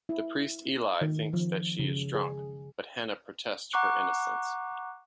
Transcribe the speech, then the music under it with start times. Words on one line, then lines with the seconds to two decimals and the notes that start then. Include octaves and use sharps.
The priest Eli thinks that she is drunk, but Hannah protests her innocence.
0.09 E4
1.01 D#3
1.33 F3
1.79 C#3
2.15 G#4
3.73 F#5 A#5 C#6 D6 F#6